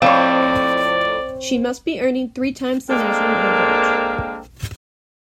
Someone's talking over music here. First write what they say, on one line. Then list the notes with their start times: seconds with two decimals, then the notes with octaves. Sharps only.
She must be earning three times the national average.
0.02 F2 A2 C4 C#5 D5 F5
2.89 G#3 A#3 C4 D4 A4 A#4